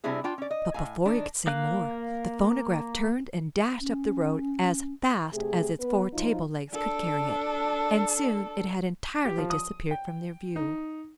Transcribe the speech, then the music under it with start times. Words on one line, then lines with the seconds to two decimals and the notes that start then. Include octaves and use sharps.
But before he could say more the phonograph turned and dashed up the road as fast as its four table-legs could carry it, and soon it had entirely disappeared from their view.
0.04 C3 G3 C4 D4 E4 G#4
0.24 D4 F4 G5
0.38 C#4 D5
0.51 D#5
0.74 A2 F5 G#5
1.05 D#3 D4
1.47 A#3 F5 F#6
3.80 C#4
5.33 C3 A3 G4 G#4
5.80 B3 B4
6.13 F3 F#3 D#4 F4
6.71 D4 A4
9.25 G4
9.38 F3
9.50 D#6
9.91 G5
10.56 D#4